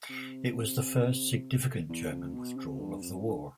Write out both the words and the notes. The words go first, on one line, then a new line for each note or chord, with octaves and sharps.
It was the first significant German withdrawal of the war.
C3
E2
F2
B2
C3
G2
F2
D3